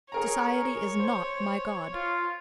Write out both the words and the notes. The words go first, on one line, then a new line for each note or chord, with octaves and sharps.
Society is not my God.
G#4 A#4 C#5 A#5
C5
F4